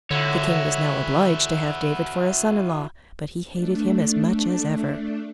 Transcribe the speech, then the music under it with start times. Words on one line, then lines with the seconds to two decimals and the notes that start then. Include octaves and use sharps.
The king was now obliged to have David for a son-in-law. But he hated him as much as ever.
0.11 D3 E4 F#4 C#5 E5
3.49 A3 D4